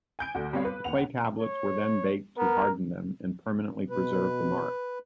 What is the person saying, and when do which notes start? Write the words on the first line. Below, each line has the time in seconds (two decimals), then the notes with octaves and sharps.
The clay tablets were then baked to harden them and permanently preserve the marks.
0.19 G#5 G6 D7
0.35 D2 D3 F#4
0.53 G3 B3 C4 C#5 F5
0.65 B4
0.84 D#2 F#5 F7
1.38 C#5
2.38 B3 A#4
3.90 B2 B4